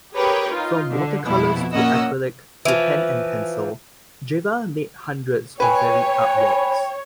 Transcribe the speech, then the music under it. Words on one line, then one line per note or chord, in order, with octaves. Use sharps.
From watercolors to acrylic to pen and pencil, Geva made hundreds of varied artworks.
G4 G#4 A#4 B4 C#5 G5
D#4 F4
D3
F2 B2 B3 E4
A#2 A#3 C#4 D#5 F#5 E6
E3 F3
B4 C#5 G5 G#5